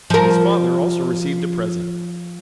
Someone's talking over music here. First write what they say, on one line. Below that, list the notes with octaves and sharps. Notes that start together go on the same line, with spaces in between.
His father also received a present.
F3 A#4